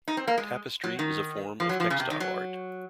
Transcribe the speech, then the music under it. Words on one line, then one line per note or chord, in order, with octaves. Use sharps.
Tapestry is a form of textile art.
D#4
C4
A#3
G#3
F#3
D#3
F3
F#3
F3
C#3
C3
D#3
F#3